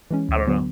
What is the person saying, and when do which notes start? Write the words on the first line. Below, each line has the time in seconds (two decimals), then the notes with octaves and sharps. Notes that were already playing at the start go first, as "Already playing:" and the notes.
I don't know.
0.11 E3 G#3 C#4
0.29 D2
0.47 D3 F#3 B3